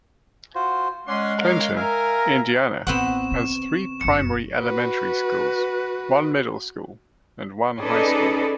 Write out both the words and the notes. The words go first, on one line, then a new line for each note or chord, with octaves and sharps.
Clinton, Indiana has three primary elementary schools, one middle school and one high school.
F4 F#4 C5
G#3 C#4 D5 F#5 C6
C#4 A#4 F5
A#4 E5 F5 G#5
A#5
A1 B3 C4 F#5 C#6 E7
C#3
F#1 F2 C#7
F#4 B4
C#4 D#4 G#4 A4 B4 D5